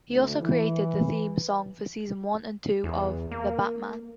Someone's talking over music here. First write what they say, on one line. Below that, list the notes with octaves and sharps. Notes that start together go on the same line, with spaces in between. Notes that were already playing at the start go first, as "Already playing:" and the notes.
He also created the theme song for season one and two of "The Batman".
D2
E3
E2
A#3